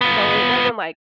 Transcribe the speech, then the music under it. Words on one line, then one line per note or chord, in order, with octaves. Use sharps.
So it wasn't like
B3 F4